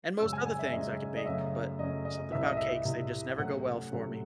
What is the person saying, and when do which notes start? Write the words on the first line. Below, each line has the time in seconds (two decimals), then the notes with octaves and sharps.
and most other things I can bake, but something about cakes, they just never go well for me.
0.19 F#2 C#3 G#3 C#4 E6
0.33 G#5
0.46 G#5
0.59 E5
0.72 F#2 C#3 G#3 C#4 D#5
1.17 D#5
1.25 F#2 C#3 F#3 A3 C#4 E5
1.79 F#2 C#3 F#3 A3 C#4 D#5
2.05 D#5
2.32 C2 C3 E3 E5
2.44 D#5
2.57 E5
2.85 C2 C3 E3
3.38 C3 F#3 A3 C#4 F#5
3.91 C3 F#3 A3 C#4